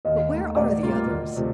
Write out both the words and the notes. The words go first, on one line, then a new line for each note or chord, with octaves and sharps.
But where are the others?
D#2 D#5
D#3 A3
A2 D5
G3 A#3 F4
D2
C3 F3 A3